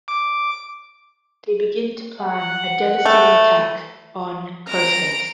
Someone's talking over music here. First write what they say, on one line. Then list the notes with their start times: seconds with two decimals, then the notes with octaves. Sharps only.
They begin to plan a devastating attack on Coruscant.
0.08 D6
2.21 F#5
3.05 A3
4.69 A#5 D7